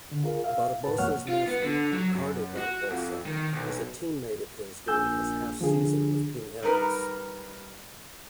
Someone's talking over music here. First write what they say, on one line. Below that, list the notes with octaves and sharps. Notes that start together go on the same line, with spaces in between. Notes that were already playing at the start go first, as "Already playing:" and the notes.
Barbosa's nephew, Ricardo Barbosa, was a teammate of his during his half-season with Pinheiros.
D3
F4 G#4 A#4
E5 F5
A2 F#4 B4 A5
F2 F3 A#3 C#5 F#5 F6
F4
B3
D3
F#3
F#2
F#4
F2
D#3
B1
A#1 G#5 E6 G6
D3 F3 G#4
G3 D#4 A#4 B4